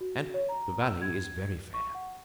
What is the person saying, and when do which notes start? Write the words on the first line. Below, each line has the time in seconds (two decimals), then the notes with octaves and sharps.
And the valley is very fair.
0.01 F#4
0.34 C#5
0.49 A#5
0.81 E6
1.02 G#6
1.74 C#6
1.95 F#5